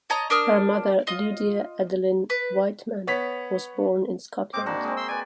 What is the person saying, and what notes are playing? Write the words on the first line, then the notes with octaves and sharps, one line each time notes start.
Her mother Lydia Adeline Wightman was born in Scotland.
C#5 D#5 A5 A#5
D4 A#4 D#6 F6
F4 D#5
B4
B3 C#5 B6
G#2 C4 D6
A#3 D4 F#4
G#3 C4
C6 E6
B4 D5 G#5